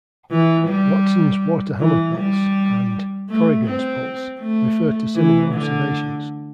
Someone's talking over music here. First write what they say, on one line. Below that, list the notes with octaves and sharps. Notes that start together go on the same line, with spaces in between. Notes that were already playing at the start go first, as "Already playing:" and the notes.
"Watson's water hammer pulse" and "Corrigan's pulse" refer to similar observations.
E3
G3
E3
G3
A3
C4
A3
E3
D3